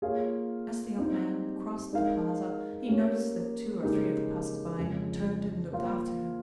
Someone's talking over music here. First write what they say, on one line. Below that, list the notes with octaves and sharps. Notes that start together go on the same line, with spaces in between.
As the young man crossed the plaza he noticed that two or three of the passers-by turned and looked after him.
A#3 F4 G#4 C#5 F5
G3 C4 D#4 G4
G#3 D#4 A#4 F5
A#3 C#4 G4 A#4 C#5
C#3 G#3 D#4 G4 A#4
F2 C#3 G#3
A#3 F4 C5 F5